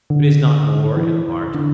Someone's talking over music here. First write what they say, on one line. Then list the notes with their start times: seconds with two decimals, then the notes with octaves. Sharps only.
But is not war an art?
0.10 D3
0.97 E3
1.54 D3